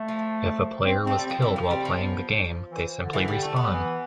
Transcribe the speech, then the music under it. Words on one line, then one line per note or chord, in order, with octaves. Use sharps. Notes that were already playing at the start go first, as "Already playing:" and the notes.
If a player was killed while playing the game, they simply respawn.
Already playing: A3
F3
C4
A3 C4
G3
F3 C4
E3 C4
F3
G3 C4
F3
B3
E3
D3
E3
G3
A3
B3
E3